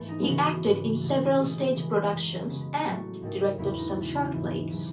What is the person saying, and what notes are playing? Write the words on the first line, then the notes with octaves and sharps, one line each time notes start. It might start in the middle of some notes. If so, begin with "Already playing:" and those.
He acted in several stage productions and directed some short plays.
Already playing: G#2 E3 A3 B3
D#4
C#3 E3 B3 F#4
G#2 E3 B3
B2 A3
B2 A3 G#4
C#3 E3 G#3
F#2 C#3 G#3
C#3 G#3 B3
A2 F#3 A3 F#4
G#2 D#3 A3
E2 C#3 E3 B3 E4
D#4
B2 A3
G#2 E3 B3
C#3 F#3 B3 E4